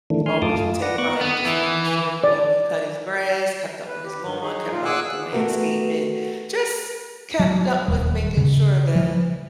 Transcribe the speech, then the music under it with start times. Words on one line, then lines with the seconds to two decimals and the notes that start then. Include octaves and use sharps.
always would take pride in just making sure, you know, he cut his grass, kept up with his lawn, kept up with the landscaping, just kept up with making sure the
0.10 D#3 E3 A3 D4
0.26 G#5 C6 F6
0.42 F#2 A3 F4 A5 D6 D#6
0.58 F4
0.82 B4 D5 F#5 A#6
0.98 B3 C#6 D6 F#6
1.21 B3
1.45 E3
2.24 D5
3.88 B4
4.05 G4
4.24 G2 D#3
4.42 D#4 G#4
4.72 A#2 F4
4.85 G#4 F#5 G#5 D6 E6 F#6
5.33 A3 B3 F#4 G4 A#4
7.39 F#3
7.88 D#1
8.37 C#3
8.95 F3